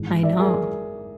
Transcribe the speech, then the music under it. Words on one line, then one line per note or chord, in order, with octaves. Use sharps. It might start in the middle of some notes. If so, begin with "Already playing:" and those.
I know.
Already playing: G#1 G#2 E3
D5 E5
G#4 A#4